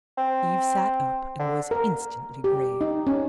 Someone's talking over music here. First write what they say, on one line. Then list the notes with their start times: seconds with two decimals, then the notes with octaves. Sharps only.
Eve sat up and was instantly grave.
0.18 C4
1.40 D3
1.71 A#4
2.44 G4
2.81 D#4
3.07 C#4